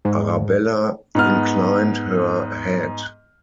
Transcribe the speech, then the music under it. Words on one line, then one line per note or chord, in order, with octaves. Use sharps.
Arabella inclined her head.
G#2
G#2 B3 F6